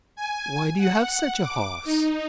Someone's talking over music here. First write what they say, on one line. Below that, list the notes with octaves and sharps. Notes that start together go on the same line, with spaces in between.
"Why do you have such a horse?"
G#5
F#5
D6
D#4